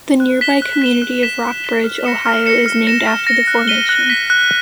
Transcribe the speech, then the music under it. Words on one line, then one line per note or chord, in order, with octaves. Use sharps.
The nearby community of Rockbridge, Ohio is named after the formation.
F#6
B6 E7 G7
F#6
B6 E7 G7
F#6
B6 E7 G7
F#6
B6 E7 G7
F6
A#6 C#7 E7
F6
A#6 C#7 E7
F6
A#6 C#7 E7
F6
A#6 C#7 E7
F#6
B6 D#7 G7
F#6
B6 D#7 G7
F#6